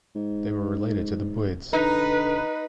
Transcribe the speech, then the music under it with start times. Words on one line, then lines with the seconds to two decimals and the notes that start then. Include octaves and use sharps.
They were related to the Buyids.
0.16 G#2
1.73 D3 D#4 B4